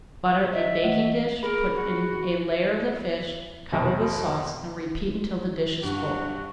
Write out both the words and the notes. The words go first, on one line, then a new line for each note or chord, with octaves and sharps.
Butter a baking-dish, put in a layer of the fish, cover with sauce, and repeat until the dish is full.
D#5 E5
E3 A3
G#4 A#4 B5
F#4
F1 B2 A#4
G2 F#4